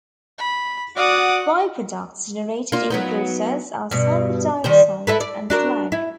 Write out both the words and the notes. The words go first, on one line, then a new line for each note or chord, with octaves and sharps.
By-products generated in the process are sulfur dioxide and slag.
B5
F#4 D5 F#5 D6 D#6
A#3 F4
F#3 B3 D#4
G2 B2
D#3 G3 C5
E4 A4 B4
D5
D4 F#4 A#4
E4